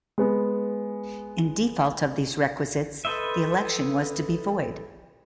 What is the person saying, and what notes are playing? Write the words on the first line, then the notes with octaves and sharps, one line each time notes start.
In default of these requisites the election was to be void.
G#3 B3
A4 B4 C5 D#5 E5